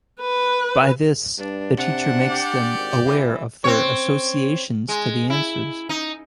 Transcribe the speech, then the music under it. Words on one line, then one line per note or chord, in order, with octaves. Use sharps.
By this the teacher makes them aware of their associations to the answers.
B4
G2 D4
C3 D4 F#5
G4 D5
G#1
E3
C4 C#5
G#3
E4
D#4